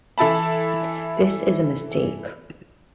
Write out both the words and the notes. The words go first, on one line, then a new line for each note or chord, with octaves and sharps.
This is a mistake.
E3 E4 A4 A5 B5